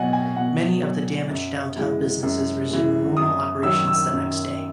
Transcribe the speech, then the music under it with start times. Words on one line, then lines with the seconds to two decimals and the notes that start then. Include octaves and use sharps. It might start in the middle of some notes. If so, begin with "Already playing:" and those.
Many of the damaged downtown businesses resumed normal operations the next day.
Already playing: B2 F#3 D#5 F#5 G#5
0.13 G#5
0.36 B2 F#5
0.82 F#3
1.29 F#2
1.76 E3 G#3
2.23 F#2
2.70 E3 G#3
3.17 F#2 D#6
3.63 D#3 F#3 E6
3.88 E6
4.11 F#2